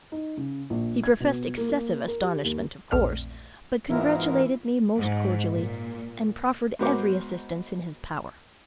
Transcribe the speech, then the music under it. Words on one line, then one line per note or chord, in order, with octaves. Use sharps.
He professed excessive astonishment, of course, but congratulated me most cordially, and proffered every assistance in his power.
D#4
C#3
A#1
G#6
B2
A#3
A#3
A#4
G4
D#2
A#1 E2 A3 C4 D5 F6
G#2 B2 E3 G#3 E4 F4 A#4
G#2
A#2
G#2 B3 F#4 A#4 C5 D6